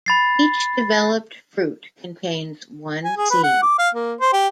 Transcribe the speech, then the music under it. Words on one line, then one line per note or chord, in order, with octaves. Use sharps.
Each developed fruit contains one seed.
B5 A6 C7
G#5
G#4
B4
F#5
D6
F5
A#3
C5
G4